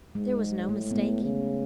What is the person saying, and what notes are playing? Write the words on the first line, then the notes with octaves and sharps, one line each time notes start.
There was no mistaking.
G#2 G#3
A2 A3
B3
A3
C#3